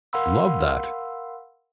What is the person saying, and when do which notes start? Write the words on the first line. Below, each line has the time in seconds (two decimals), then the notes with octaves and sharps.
Love that.
0.13 A#4 F5 F#5 B5 C6 E6